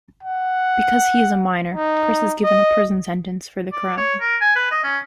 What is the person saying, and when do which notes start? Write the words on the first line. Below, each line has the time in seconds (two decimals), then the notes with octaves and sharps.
Because he is a minor, Chris is given a prison sentence for the crime.
0.23 F#5
1.74 D#4
2.43 D#5
3.72 D5
3.97 C#5
4.21 A#4
4.41 G#5
4.56 B4
4.71 D#5
4.84 C#4